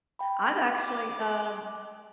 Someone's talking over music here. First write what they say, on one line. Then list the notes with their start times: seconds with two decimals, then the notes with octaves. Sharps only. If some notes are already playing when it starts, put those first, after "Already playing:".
I've actually, uh,
0.19 G5 B5
0.59 D6